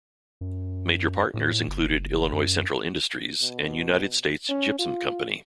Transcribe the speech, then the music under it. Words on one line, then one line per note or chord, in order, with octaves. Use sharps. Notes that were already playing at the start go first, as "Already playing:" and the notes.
Major partners included Illinois Central Industries and United States Gypsum Company.
F#2
A2
F#1
F#2
B2
C#4
F4